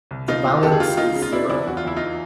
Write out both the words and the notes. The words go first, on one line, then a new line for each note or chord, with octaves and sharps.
The balance is zero.
C2
C2 D#4 F4
B2
C#2 G4 A4
G#4
C#2 F4 G4
C#3 D#4 F4
C#3
F4
C3 D4 E4
E2 D4 E4
E2 F#4
F4
E2 E4
D#4 F4
E3